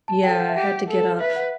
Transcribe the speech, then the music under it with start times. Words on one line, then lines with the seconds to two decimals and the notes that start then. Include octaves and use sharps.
Yeah, I had to get up
0.08 A5
0.24 A4 G5
0.40 F#5
0.49 E5
0.56 G4 F#5
0.88 A4
1.20 B4 E5
1.36 F#5